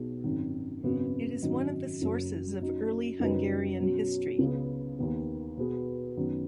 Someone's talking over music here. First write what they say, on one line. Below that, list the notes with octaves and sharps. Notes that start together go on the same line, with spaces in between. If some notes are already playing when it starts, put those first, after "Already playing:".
It is one of the sources of early Hungarian history.
Already playing: B1 B2 F#3 G#4
G#1 F#2 D#3
G#1 F#2 C#3 B3 F#4
G#1 F#2 D#3 F#3 D#4
F#1 F#2 F#3
F#2 F#3 D#4
F#1 F#2 F#3 D#4 B4
B2 F#3 C#4 F#4
C#2 C#3 B3
D#2 D#3 B3
B2 B3 G#4 B4
F#2 D#3 B3